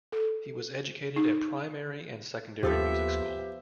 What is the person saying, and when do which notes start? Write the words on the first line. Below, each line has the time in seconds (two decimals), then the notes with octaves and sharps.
He was educated at Primary and Secondary Music School.
0.12 A4
1.16 D#4
2.63 D#2 F3 B3 G4 A4 C5 E5